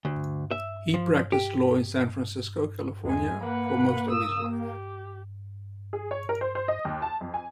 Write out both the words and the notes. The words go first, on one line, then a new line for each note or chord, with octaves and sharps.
He practiced law in San Francisco, California for most of his life.
D2
E5
F3
G4
E2 G#3 G#5
A#3 B4 F#5
D#6 E6
G4
G#4
C#5
A#4
C5
C5
D#5
D#2
A5
F2
G#5